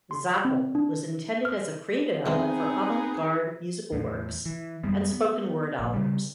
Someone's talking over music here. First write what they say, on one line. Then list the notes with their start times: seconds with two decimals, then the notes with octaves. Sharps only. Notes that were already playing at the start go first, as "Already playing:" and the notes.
Zapple was intended as a creative outlet for avant-garde musical works and spoken-word albums.
0.11 C6
0.45 C4
0.75 D4
1.45 F6
2.26 D3 E3 G#3 B3 C4 D#4 G#4
3.92 E2 A2
4.46 E3
4.83 F#2 G3 G#3 B3
5.13 B3
5.79 A#1 A#2
5.93 C#3 G3